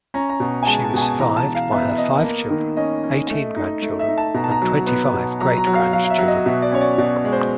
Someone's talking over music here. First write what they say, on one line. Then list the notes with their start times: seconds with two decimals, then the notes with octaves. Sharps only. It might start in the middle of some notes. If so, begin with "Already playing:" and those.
She was survived by her five children, eighteen grandchildren and twenty-five great-grandchildren.
0.14 C#4 A#5
0.29 A#5
0.40 B2
0.63 G#5
0.67 G#3 A5
0.84 A5
0.94 B2 G#5
1.01 A5
1.19 E3 A#5
1.37 A5
1.46 E3
1.55 F5
1.72 B3 E5
1.89 E5
1.98 B3 D#5
2.24 A#3
2.50 D#3
2.77 C#4 D#5
3.03 C#4
3.30 A3
3.56 D#4
3.82 A3
3.99 E5
4.08 D#4
4.18 A5
4.34 B2 A#5
4.44 A5
4.52 A#5
4.62 F#3
4.87 B3
5.14 B2
5.40 F#3 A#5
5.58 A#5
5.67 F#3
5.75 F5
5.93 F#3 F5
6.04 F5
6.10 E5
6.18 F#3
6.28 D#5
6.46 B2 E5
6.62 D5
6.72 C#4 C#5
6.81 D5
6.98 B2 D5
7.25 G#3
7.32 C5